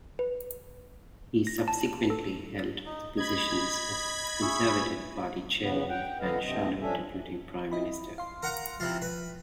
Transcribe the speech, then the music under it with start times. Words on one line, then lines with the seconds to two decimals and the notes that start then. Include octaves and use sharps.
He subsequently held the positions of Conservative Party Chairman and Shadow Deputy Prime Minister.
0.19 B4
1.47 A#6
1.68 A5
2.10 A4
2.86 D#4
3.17 D#5 B5 G#6
4.42 G#4 E5 C#6
5.61 E2 C#3 B3
5.89 F#5 G5
6.20 D3 B4 D#5 F5 F#5
6.42 D2 G2 C3 C4 D#5
6.82 F3 C#4 D4 A4 E5 G#5
7.71 E4 D#5 B5
8.18 F5 C6
8.43 A#4 F#5 A#5
8.80 C3 E3 F3 F4
9.02 B4